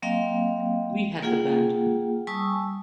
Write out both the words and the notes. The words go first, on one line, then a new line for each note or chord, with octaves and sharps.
We had the band.
F#3 A#3 C4 D#5 F5 G5
A#3 F4 G#4 F#5 G5
G3 G#5 A5 C#6 D#6 E6